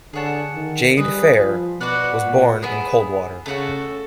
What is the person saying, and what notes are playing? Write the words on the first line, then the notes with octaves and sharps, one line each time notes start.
Jad Fair was born in Coldwater.
D3 G#4 C#5 F#5 A5
D#3
G3 G#4 B4 D#5
F3
B2 F#4 B4 D5 F#5
A#2
B3 E4 G#4
C#3 A3 D4 F#4 A4